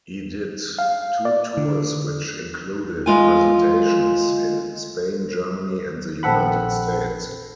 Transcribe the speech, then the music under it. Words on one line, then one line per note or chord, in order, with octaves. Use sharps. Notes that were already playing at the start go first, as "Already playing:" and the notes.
He did two tours which included presentations in Spain, Germany, and the United States.
F5
D5
D3
G#3 F4 G#5
A#1 C4 A4 F#5 B5